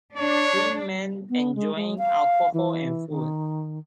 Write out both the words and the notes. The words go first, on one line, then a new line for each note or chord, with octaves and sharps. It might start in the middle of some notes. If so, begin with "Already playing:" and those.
Three men enjoying alcohol and food.
D4 C#5
B3
G#3
G#3
F5
E3
D#3